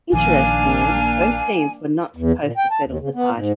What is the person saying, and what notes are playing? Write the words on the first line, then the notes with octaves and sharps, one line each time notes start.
Interestingly, both teams were not supposed to settle the title.
A#1 D#3 F3 A#3 D4 F5 G#5
E2
A#2
G5
A5
D#2
C#3
B3
G#2